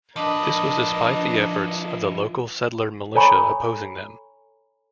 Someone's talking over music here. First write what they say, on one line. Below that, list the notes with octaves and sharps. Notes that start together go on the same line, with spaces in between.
This was despite the efforts of the local settler militia opposing them.
F3 D4 A#4 B4 D#5 A5 D6 D#6
A4 C#5 G#5 A#5 B5 C#6